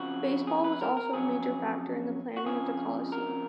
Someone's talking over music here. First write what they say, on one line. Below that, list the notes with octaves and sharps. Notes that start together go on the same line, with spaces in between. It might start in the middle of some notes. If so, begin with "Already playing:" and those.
Baseball was also a major factor in the planning of the Coliseum.
Already playing: F2 C#3 F3 F#4
G#4
B4
A#4
A#4
F2 C#3 F#3 G#4
F#4
F2 C#3 F3 G#4
A#4